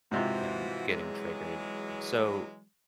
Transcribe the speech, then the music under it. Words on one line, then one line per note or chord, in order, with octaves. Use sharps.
him getting triggered so
G#2 C3 E3 F3 F4 F#4
E3 F#3 G#3